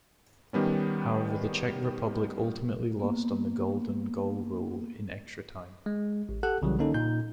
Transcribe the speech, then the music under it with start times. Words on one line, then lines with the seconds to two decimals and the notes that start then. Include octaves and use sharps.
However, the Czech Republic ultimately lost on the golden goal rule in extra time.
0.53 D#3 G3 B3 C#4
2.98 A#3 B3
5.86 G#3
6.29 A1
6.43 G4 A4 F#5 F#6
6.62 B1 C#3 E3 F#3 G3
6.79 D3 A#3 C#4 D#4 A4
6.94 A#2 D#4 G6